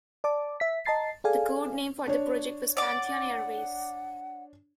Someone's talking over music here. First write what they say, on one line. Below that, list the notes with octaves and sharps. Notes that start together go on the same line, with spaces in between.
The code name for the project was Pantheon Airways.
D5 A5 D6
E5 B6
D#5 A5 A#5 A6 C7
G#4 A4 D5 F5 G#5
D4 C#5
D5 F#5 D6